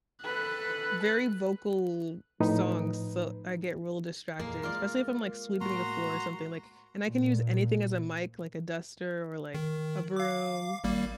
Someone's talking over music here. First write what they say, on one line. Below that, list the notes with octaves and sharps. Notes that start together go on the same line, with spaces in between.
very vocal songs, so I get real distracted, especially if I'm, like, sweeping the floor or something, like and I can use anything as a mic, like, a duster or, like, a broom.
A4 B4 F#6
A2 F3 D#4 B4
F2 A#2 E3 G#3 A#3
G#3 F4 A#4 D5
A2 G#3 A#3 F#4 A#5 C6
A#2
D#3
F5 D6
G#1 G3 A#3